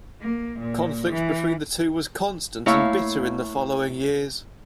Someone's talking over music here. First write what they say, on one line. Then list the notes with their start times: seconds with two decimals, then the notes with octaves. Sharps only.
Conflict between the two was constant and bitter in the following years.
0.21 A#3
0.59 A#2
1.10 E3
2.66 A3 A#3 E4 C#5 F5